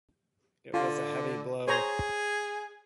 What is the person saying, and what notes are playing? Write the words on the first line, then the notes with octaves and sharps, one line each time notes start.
It was a heavy blow.
D3 F4
G#4 C5 C#5 A#5